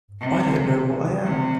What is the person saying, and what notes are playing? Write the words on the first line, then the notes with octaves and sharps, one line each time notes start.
I don't know what I am.
C3
C3